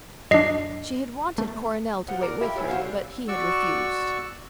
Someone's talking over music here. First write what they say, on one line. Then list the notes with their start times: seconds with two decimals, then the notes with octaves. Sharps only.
She had wanted Coronel to wait with her, but he had refused.
0.31 F#2 D4 D#5 C7
1.38 A3
2.08 F3 F4 F#5
2.21 A#4 D5
2.41 E4 F4 G4 A4
2.56 A2 E4 G#5
2.68 C4 E4 F#4 F5
2.81 D3
3.28 F#4 D5 C#6 E6